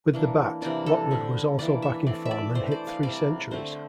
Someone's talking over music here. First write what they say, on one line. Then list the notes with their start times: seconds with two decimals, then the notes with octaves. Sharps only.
With the bat, Lockwood was also back in form and hit three centuries.
0.13 E3 A#3 D4
0.62 C3 E3 A#3 D4 D5
0.86 A4
1.11 D3 G3 C4
1.59 E3 A#3 D4 D5
1.82 E5
2.06 E3 A3 C4 D5
2.25 E5
2.31 D5
2.55 E3 A3 D4 C5
2.71 D5
2.87 F5
3.03 C3 G3 C4 D5
3.51 D3 A3 C4 C5